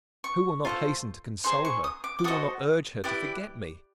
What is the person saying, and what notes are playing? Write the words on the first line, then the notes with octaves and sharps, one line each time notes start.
Who will not hasten to console her, who will not urge her to forget me!
C#6
F4 A4 C5
D#4 G#4 C5 C6
C#6
D#6
D6
D6
F#4 A4 C5 D#5 D#6
E4 G4 B4 D5 D6